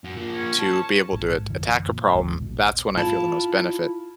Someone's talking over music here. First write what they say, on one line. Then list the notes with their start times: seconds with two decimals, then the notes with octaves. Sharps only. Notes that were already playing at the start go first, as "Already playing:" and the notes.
to be able to a attack a problem, that's when I feel the most benefit.
0.04 F#2
0.17 F3 A#3
0.33 C#4
0.59 A5
1.12 A#1 G#2
1.50 F#2 D3 E3
1.87 A#2
2.14 G1 D#2 D3 G#3
2.39 A#1 B2
2.97 E4 F4 A5